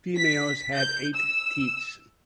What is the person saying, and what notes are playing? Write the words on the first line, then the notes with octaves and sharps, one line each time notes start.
Females have eight teats.
B6
G6
E6